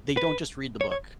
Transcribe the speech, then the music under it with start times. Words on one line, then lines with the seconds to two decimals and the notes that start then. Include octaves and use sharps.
they don't just read the book.
0.17 B4
0.81 C#5
0.92 C#5